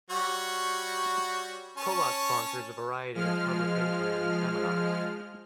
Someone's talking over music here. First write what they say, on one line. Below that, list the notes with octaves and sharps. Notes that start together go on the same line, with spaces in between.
Kolot sponsors a variety of publications and seminars.
G3 F#4 C#5
C#4 A5 C#6
F3 G#3 F6